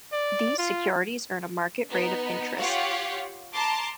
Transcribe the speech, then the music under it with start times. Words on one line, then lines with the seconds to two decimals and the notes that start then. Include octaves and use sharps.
These securities earn a market rate of interest.
0.12 D5
0.58 F4
1.89 B3 D#4
2.57 F4 G4 C#5 F5 F#5
3.53 A5 A#5 C6 D6